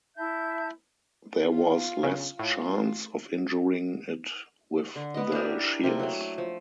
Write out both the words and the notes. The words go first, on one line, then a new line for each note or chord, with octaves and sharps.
There was less chance of injuring it with the shears.
E4 E5 A5 G6
F4
C#3
A2 F4
D3
B3 D#5
D4 E4 G4 A#4
C3 A#3
F#3 A3
F3